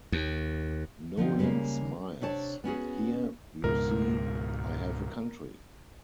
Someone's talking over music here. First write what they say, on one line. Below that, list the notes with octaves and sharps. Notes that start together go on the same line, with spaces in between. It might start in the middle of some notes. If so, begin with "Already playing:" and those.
Nolan smiles, Here, you see, I have a country!
D#2
D3 F3 C4 D#4
C#3 E3 G3 G#3 A#3
C3 D4 C#5 A5
B3 C#4 F#4 G#4
C#2 G#2 B2 A#4